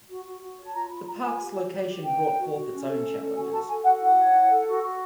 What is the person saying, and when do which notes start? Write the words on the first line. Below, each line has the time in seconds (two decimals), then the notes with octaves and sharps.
The park's location brought forth its own challenges.
0.09 F#4
0.25 F#4
0.41 F#4
0.58 C#5
0.65 A5
0.74 F4 A#5
0.90 F4 B5
1.06 F4 A#5
1.23 F4 G#5
1.39 G4
1.56 G4
1.72 G4
1.88 G4
2.05 B4 G5
2.21 B4
2.38 F#4
2.54 F#4
2.71 C#4
2.87 A4
3.03 C#4
3.19 A4
3.35 F#4 G#5
3.52 F#4 A5
3.68 A4 G#5
3.85 F#4 F#5
4.01 E4 F#5
4.17 C#5
4.34 E4
4.50 A4
4.66 F#4
4.82 F#4